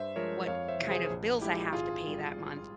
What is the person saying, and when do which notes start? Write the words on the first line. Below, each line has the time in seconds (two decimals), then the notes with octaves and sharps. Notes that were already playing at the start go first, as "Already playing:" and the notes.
what kind of bills I have to pay that month,
Already playing: G2 C5 E5
0.16 F3 G#3 A#4 C#5
0.47 F2 C#5 F5
0.68 C5 E5
0.79 C3 E3
0.89 G#4 C5
1.10 A#1
1.41 A#2 G#3 E4 G4
1.73 G#1 F4 G#4
2.07 G3